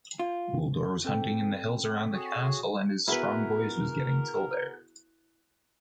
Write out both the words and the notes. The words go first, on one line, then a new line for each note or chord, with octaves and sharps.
Uldor was hunting in the hills around the castle and his strong voice was getting till there.
F4
C4 A4 G5
F#4 G#4 C#5
B3 E4 F#4 G#4 A#4 B4